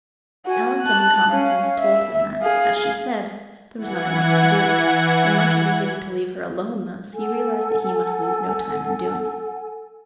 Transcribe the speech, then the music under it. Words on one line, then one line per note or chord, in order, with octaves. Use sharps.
Alan's own common sense told him that, as she said, there was nothing else to do and, much as he hated to leave her alone thus, he realized that he must lose no time in doing it.
F#4 G#5
A5 F#6
C#4 F5
E5
G#4 F5
E3 F#5 G#6
A4 F#5 G#5